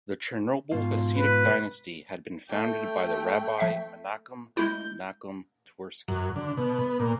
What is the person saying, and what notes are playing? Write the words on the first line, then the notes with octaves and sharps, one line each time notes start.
The Chernobyl Hasidic dynasty had been founded by Rabbi Menachem Nachum Twersky.
G#2 B2 F4
B4
A3 G5
F3 E5 B6
G#3 A3 E4 G6
F#2
D3
B2
B3
A#2